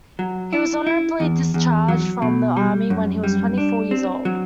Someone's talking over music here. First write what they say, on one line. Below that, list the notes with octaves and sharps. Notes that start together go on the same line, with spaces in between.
He was honorably discharged from the Army when he was twenty-four years old.
F#3
E4
E4
E2
E2
F#3
B2
G3
F#2
G3
D4
C4
F#3